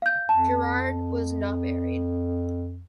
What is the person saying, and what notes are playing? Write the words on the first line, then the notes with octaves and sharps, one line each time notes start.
Gerard was not married.
F5 G6
F2 A5